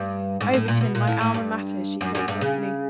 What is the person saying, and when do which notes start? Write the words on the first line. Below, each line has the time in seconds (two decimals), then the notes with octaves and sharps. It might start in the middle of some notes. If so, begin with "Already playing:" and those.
"Overton, my Alma Mater," she said softly.
Already playing: G2
0.41 G#2
0.53 A2
0.68 A#2
0.81 B2
0.95 A#2
1.07 A2
1.21 A2
1.34 G2
2.01 F#2
2.15 F#2
2.28 G2
2.41 C#3